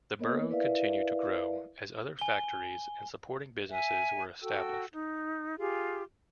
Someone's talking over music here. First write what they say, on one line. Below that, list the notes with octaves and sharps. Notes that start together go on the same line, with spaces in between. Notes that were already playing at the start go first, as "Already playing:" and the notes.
The borough continued to grow as other factories and supporting businesses were established.
A#3 B3 A#4 C#5 D#5
E4 A#4 B4 D5 E5 F5
G#5 G7
E5 G#5
F#4 A4 G5 E6
D#4
F4 G4 G#4